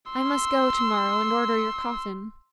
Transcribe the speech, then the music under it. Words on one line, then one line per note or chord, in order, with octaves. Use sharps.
I must go to-morrow and order your coffin.'
C6 E6